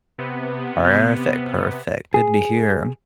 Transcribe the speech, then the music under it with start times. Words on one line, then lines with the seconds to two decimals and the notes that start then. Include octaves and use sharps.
Perfect, perfect, good to hear.
0.18 C3 B3
2.14 G#4